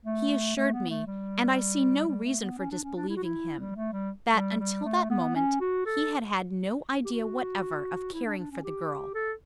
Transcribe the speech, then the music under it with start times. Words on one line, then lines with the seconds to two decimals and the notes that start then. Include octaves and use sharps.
He assured me--and I see no reason for disbelieving him--that until that moment he had had no idea whatever of caring for the girl.
0.06 A3
0.56 A3
0.73 B3
0.90 A3
1.07 G3
2.08 G3
2.24 A3
2.41 B3
2.58 C#4
2.71 D4
2.83 C#4
2.96 D4
3.09 E4
3.17 F#4
3.24 E4
3.59 G3
3.76 A3
3.93 G3
4.35 G3
4.60 G3
4.85 A3
5.10 B3
5.36 C#4
5.61 F#4
5.86 A4
7.05 G4
7.13 F#4
8.13 E4
8.26 D4
8.38 D4
8.51 C#4
8.64 G4
9.14 A4